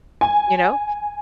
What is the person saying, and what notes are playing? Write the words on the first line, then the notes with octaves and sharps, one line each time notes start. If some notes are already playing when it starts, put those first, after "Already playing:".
you know?
G#5